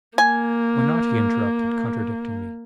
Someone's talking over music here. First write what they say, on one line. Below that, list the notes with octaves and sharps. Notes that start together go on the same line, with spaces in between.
"Why not!" he interrupted, contradicting me.
A#3 G#5